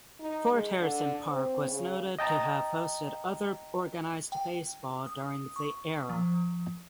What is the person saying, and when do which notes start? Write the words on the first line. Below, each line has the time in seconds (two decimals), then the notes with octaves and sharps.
Fort Harrison Park was noted to have hosted other organized baseball during the era.
0.20 D#4
0.50 G#3
0.80 D3
1.26 C4
1.67 C#3
2.19 D#5 G5 A5 A#5
4.32 G5
5.06 D#6
5.56 C#6
6.10 F3